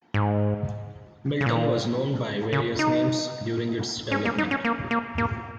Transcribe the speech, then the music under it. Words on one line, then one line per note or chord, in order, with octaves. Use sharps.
Milton was known by various names during its development.
G#2
C#3
A#2
C#3
D#4
C#4
A#3
D#4
C#4
A#3
A#3
A#3